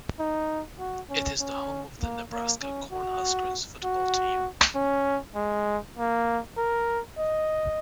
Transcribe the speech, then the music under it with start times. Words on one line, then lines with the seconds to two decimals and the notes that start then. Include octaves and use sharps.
It is the home of the Nebraska Cornhuskers football team.
0.19 D#4
0.79 F#4
1.10 C#4
1.40 C#4
2.01 A#3
2.32 A#3
2.62 C#4
2.92 F#4
3.84 F#4
4.75 C#4
5.35 G#3
5.97 A#3
6.57 A#4
7.18 D#5